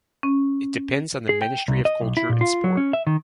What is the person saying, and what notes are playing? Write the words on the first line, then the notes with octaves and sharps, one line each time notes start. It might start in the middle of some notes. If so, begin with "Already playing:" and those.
It depends on the Ministry of Culture and Sport.
C#4
G#4
G5
C2
D#5
B1
E4
A#2
F4
F#3
C#4
E5
D#3